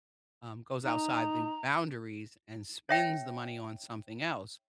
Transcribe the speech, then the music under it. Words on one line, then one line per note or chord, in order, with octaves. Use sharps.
um, goes outside the boundaries and spends the money on something else?"
D#4 A#5
C#5 E5 G5